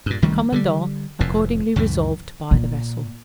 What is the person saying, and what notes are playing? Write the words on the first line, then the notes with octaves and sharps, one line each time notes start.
The commandant accordingly resolved to buy the vessel.
G2 A#2
C2 D#3 G3 A3
D3 D#3 G3
F1 F2 A2
C#2 F#2 A2 E3
A#2